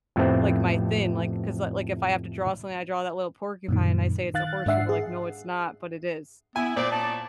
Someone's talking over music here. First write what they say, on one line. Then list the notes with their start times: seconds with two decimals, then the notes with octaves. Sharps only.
like, my thing, like 'cause, like, if I have to draw something, I draw that little porcupine and I say, "It's a horse." People are like, "No, it's not," but it is.
0.16 F2 A2 C3 A3 B3 C4
3.69 F#2 A#2 D#3
4.34 D#3 F5 F#6 A6
4.66 G#2 D4 E5 F#5 C7
4.89 G#4
6.56 B3 E4 G#5
6.77 A#2 C5 D5
6.92 C#4 D#4 D5 A5